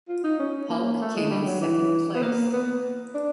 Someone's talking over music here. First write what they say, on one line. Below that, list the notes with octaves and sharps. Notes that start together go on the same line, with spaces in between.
Paulk came in second place.
F4
D#4
C#4
A#3
A3
G#3
G3
F#3
E3
B3
A#3
B3
D4